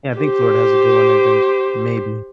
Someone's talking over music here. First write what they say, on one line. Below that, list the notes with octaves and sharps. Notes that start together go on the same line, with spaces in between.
Yeah, I think Florida has a good one, I think, maybe.
G4 C5